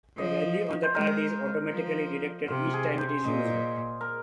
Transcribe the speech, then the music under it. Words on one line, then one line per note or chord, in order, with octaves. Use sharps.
The value on the card is automatically deducted each time it is used.
F3 D#5
C5
G#3 A#4
F3
C3 F4
G#4
C5
A#2 D#5
A#4